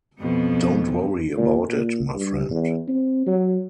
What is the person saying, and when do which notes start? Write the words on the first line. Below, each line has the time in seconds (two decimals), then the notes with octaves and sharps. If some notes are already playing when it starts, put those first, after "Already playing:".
Don't worry about it, my friend.
0.20 F2 B2 B3
1.37 A#2
1.69 A#2
2.15 G2
2.50 E2
2.88 C4
3.26 F#3